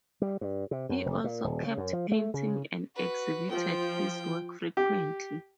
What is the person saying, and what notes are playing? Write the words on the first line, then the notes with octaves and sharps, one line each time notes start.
He also kept painting and exhibited his work frequently.
G3
G2
C3
F#2
F1
A#2
D#1
C#3
F#2
F3
A3
C#3
F#4 B4
F3 G5
G4